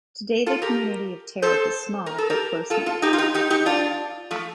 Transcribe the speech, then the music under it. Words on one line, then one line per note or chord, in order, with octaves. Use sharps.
Today the community of Terrick is small, but close-knit.
F4 A4
G4 A#4
A4 C5
A#4
A4
G4 A#4
F4 A4
F4 A4
D#4 G4
F4
D#4 G4
D#4 G4
D#4 G4
D4 F4
F3 A3